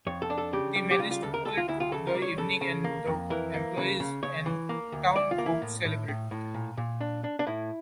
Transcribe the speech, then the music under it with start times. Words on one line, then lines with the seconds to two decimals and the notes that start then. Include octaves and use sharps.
They manage to pull through the evening and the employees and town folks celebrate.
0.07 F2 C#5
0.22 A4
0.30 D4
0.38 A4
0.53 C#3 G4
0.76 G3
0.91 G4
0.99 C#3 F4
1.11 F4
1.22 D2 A4
1.34 A#4
1.45 D2 A4
1.57 F4
1.68 D2 E4
1.80 F4
1.92 C#3 A4
2.07 A#4
2.15 G3
2.22 C#5
2.38 C#3 A4
2.61 C#3
2.84 A#3
3.07 F2
3.30 E3 A#4
3.54 A#3
3.77 C#3
4.00 C#3
4.23 C#3 C#5
4.46 E3
4.69 A#3
4.92 D2
5.16 D2 D5
5.31 F4
5.38 A#3
5.46 E4
5.62 A2
5.85 A2
6.08 A2
6.31 A2
6.54 A#2
6.77 A#2
7.01 D4
7.24 D4
7.39 D4
7.47 A2 E4